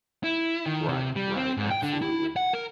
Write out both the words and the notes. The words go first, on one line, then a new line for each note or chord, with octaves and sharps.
Right right, absolutely.
E4
D#3
C3
G3
C4
G#2
G5
D3
E4
F#5
A#4